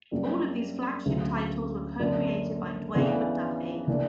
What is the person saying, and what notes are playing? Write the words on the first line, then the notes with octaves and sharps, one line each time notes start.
All of these flagship titles were co-created by Dwayne McDuffie.
F#2 C#3 G3 A#3 D4
D2 C#3 F#3
F#2 D3 A#3 D4
C#3 E3 B3 D4
E3 A#3 D4